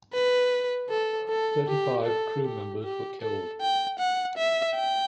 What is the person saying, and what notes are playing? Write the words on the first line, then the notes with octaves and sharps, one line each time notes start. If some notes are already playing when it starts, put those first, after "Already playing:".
Thirty-five crew members were killed.
B4
A4
A4
G4
A4
G4
G4
A4
G5
F#5
E5
G5